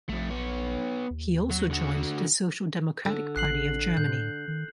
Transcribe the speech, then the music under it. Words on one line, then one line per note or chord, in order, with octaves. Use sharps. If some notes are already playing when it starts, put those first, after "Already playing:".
He also joined the Social Democratic Party of Germany.
A#1 F2 A3
B3 C#5
D#2
F#3
D3 F#4
D3
A1 F#6 C7 F#7
A2 G6
D#3